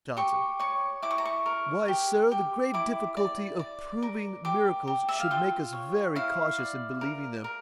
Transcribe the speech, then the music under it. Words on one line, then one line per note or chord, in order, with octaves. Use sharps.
JOHNSON. 'Why, Sir, the great difficulty of proving miracles should make us very cautious in believing them.
G4 C#6
C#5 C#6
E4 D6
C#6
A#5
C#6
A#4
G4
G4
E4 D6
D5
D5
A#4
G4 D6
G4
E5
F5
F4 G5
C#5
E4 F5
D5
A#4
A#4